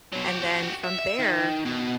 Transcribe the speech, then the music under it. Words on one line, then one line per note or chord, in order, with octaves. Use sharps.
and then from there,
B2 F#3
F#4 G4
E5
E5
D#3
B2